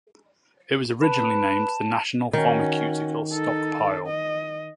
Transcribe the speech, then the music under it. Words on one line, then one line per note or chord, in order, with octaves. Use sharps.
It was originally named the National Pharmaceutical Stockpile.
B4 A5
D#3 C#4 F#4
D#4 A4
D#5